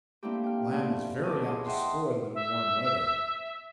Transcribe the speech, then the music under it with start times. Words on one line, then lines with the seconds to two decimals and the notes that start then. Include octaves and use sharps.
Lamb is very apt to spoil in warm weather.
0.23 A3 A#3 C4 D4 E4 G4
0.44 G5 F6
0.72 F3 A3 B3 D4 E4 G4
1.23 G#5 A5 D6
1.43 E4 G#4 C5 C#5 D#5
1.66 D#5 E5 F#5 G5 A5 C6
2.35 E5